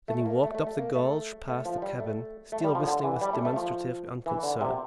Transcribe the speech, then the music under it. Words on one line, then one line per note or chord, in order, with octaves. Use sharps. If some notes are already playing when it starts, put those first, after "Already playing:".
Then he walked up the gulch past the cabin, still whistling with demonstrative unconcern.
A3
A#3
A3
A3
A3
A#3
A3
A3
F3
G3
A3
A3
G3
F3
D3
E3
G3
A3
A3
F3
E3
D3
C3